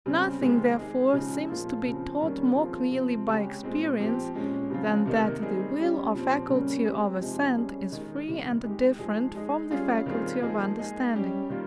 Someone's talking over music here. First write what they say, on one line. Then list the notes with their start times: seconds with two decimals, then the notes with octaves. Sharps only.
Nothing therefore seems to be taught more clearly by experience, than that the will or faculty of assent is free and different from the faculty of understanding.
0.06 C#3 G3 C4 G4
0.41 C3 D#3 G#3 C4 G4
0.78 G#3 D#4 G#4
1.13 C#3 F3 G#3 D#4
1.49 A#2 F3 A#3 F4 G#4
1.84 C#3 F3 C4
2.20 D#3 G3 A#3 C#4
2.56 F3 C4 F4 G#4
2.91 C3 F3 C4
3.27 C#3 G#3 C#4 G4
3.63 A#2 G#3 C4
3.99 F3 C4 G4
4.34 A#2 G#3 C#4
4.70 C#3 F3 C4 F4
5.06 C3 D#3 A#3 D#4
5.42 G3 C4 D#4 G#4
5.78 G3 C#4 G4
6.14 A#2 F3 C4
6.48 C#3 G3 A#3 C#4
6.84 G#3 C4 G4
7.20 C3 F3 G#3 D#4 G#4
7.56 G3 C#4 G#4
7.92 D#3 G#3 D#4
8.27 C3 D#3 G3
8.63 G#3 D#4 G4
8.98 F3 G#3 D#4 G#4
9.35 G#3 D#4 G#4
9.71 G3 C#4 F4 G#4
10.06 D#3 G3 C4 F4 G#4
10.42 F3 A#3 D#4 G#4
10.78 G#3 D#4 G#4
11.13 G3 C#4 G4
11.50 D#3 G3 A#3 F4